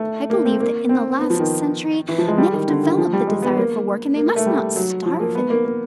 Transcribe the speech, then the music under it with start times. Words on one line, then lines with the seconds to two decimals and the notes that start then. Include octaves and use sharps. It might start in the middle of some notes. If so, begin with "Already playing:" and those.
I believe that in the last century men have developed the desire for work, and they must not starve it.
Already playing: A3
0.30 A#3
0.45 C4
0.60 A#3
0.89 C4
1.19 B3
1.30 F3
1.39 D#3
2.09 E3
2.18 F3
2.28 G#3
2.38 G3
2.53 D#3
2.68 D3
2.83 D#3
2.98 F3
3.13 G3
3.27 G#3
3.42 B3
3.57 A#3
4.16 A#3
4.26 A#3
4.36 A3
4.46 G3
4.76 F#3
5.06 F3
5.20 A#3
5.35 B3
5.50 A#3
5.65 A#3